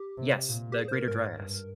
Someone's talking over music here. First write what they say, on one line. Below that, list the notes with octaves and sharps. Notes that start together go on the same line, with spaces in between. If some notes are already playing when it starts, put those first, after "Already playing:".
Yes, the Greater Dryas.
Already playing: G4
C3
A#2
G4
G#4
C5
A#4
G#2 A#4
G2